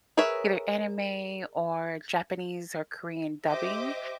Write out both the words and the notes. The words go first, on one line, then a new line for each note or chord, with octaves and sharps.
either anime or Japanese or Korean dubbing.
G#4 A#4 B4 C#5 E5
G4 C5 D#5 E5 D6